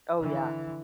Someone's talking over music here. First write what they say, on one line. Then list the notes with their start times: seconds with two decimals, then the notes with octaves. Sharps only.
Oh, yeah.
0.17 D3 E3